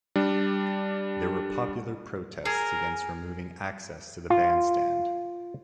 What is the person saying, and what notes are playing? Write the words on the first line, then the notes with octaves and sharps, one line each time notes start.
There were popular protests against removing access to the bandstand.
G3 D4
G#4 A#4
F4